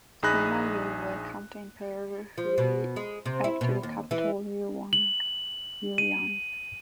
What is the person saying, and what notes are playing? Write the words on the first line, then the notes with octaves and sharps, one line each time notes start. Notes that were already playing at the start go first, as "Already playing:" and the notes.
Sima Yue welcomed Emperor Hui back to the capital Luoyang.
A#1 D#4 G#4 B5 F#6 A#6
F3
B2
G#3
C3
E4
B2
D#2
E3
F#7
D#7